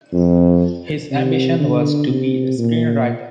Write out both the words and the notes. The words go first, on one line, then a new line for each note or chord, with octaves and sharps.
His ambition was to be a screenwriter.
F2
C3
D3
C3
A#2